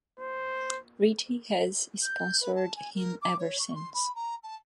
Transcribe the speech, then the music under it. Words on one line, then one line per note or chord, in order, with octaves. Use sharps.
Ritchey has sponsored him ever since.
C5
G6
B4
A5
G#5
A#4
D6
C#5
C#6
C6
B5
A#5
A5